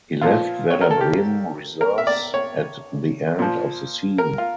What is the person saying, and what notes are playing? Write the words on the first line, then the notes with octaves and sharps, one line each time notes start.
He left Werder Bremen reserves at the end of the season.
A#2 F3 F4
C#5
A#4
A4
G4
A#4
E5
D5
C#5
A#2 F3
A#4
F4